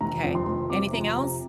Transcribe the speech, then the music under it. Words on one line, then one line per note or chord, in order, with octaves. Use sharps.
M'kay. Anything else?
F1 A#5
F2
C6
F1
C3 D6
F2 A#5
C3 A#5